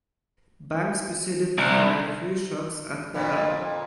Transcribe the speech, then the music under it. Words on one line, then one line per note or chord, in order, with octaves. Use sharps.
Banks proceeded to fire three shots at Bell.
C2
F2 A#2